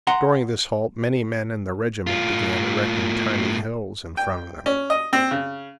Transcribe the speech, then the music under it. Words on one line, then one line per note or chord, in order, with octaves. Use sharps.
During this halt many men in the regiment began erecting tiny hills in front of them.
F#5 A#5 C6
A2 F4
G5
C#4
D#5
C4
C#3